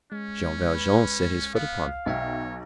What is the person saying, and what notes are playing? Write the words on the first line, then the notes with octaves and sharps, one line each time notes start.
Jean Valjean set his foot upon it.
G#3 C#4
B4
B3 F5
B1 C#5 D#5 E5 G5